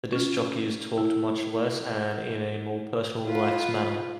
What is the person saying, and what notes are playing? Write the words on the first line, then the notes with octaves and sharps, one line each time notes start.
The disc jockeys talked much less, and in a more personal, relaxed manner.
C#4 F4
E4
F4 B4